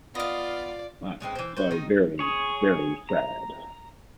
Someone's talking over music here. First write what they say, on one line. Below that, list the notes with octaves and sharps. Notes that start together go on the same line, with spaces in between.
But so very, very sad.
B3 F4 D5 D#5 F5
A2 G#3 C4 B4
E3 C5
F#4 B4 C5
D#3 D#4
G#4 C#5
A#5